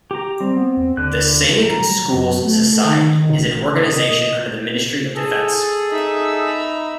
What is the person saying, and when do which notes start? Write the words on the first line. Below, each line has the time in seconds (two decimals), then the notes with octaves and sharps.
The Sainik Schools Society is an organization under the Ministry of Defence.
0.11 G4 A#5
0.40 G3 C4
0.57 B3
0.77 E2
0.97 D#2 D3 F#6
1.66 A#5
2.14 F#2
2.44 A3
2.88 D#3
3.36 A1
3.81 D#5
5.15 G#4 A4
5.90 D#4 E5
6.45 A#5 B5